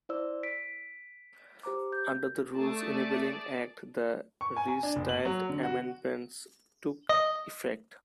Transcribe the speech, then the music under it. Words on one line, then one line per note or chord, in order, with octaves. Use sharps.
Under the Rules Enabling Act, the restyled amendments took effect.
E4 C5 D5 E6
B6 D7
G4 C5 A#5 D6
G6
A3 G#4 D5 A5
C#6
G#5
G#5
D4
F#1
F#7
F#3
D3
F#4
D#5